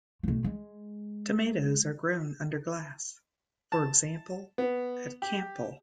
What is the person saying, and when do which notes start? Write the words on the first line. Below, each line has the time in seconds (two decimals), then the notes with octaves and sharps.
Tomatoes are grown under glass, for example at Campile.
0.23 B1 A3
0.44 G#3
3.72 A5
4.58 B3
5.22 G4